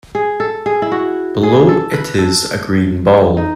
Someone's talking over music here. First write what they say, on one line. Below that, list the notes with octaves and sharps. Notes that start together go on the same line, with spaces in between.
Below it is a green ball.
G#4
A4
G#4
E4
F#4
G#4
A4
B4
A4
D#4